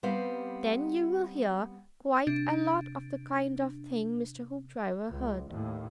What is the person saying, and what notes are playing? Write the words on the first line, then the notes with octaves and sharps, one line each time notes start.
Then you will hear quite a lot of the kind of thing Mr. Hoopdriver heard.
G3 B3 C4 G4 F5
C3 D4
C#2
D#2 A2